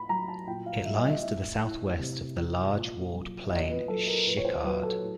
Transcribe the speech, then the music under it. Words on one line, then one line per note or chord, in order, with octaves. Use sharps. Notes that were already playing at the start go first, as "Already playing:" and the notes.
It lies to the southwest of the large walled plain Schickard.
Already playing: A2 B5
F#3 A#5
A5
A#2 G5
F5
G3 E5
D#5
E5
A2 E5
A2
C3
F3
A#2
F#3
A#2 D#5
B4
F#3 A4
A#4
A#2 B4
C#5
C5
F#3 B4
A4
A2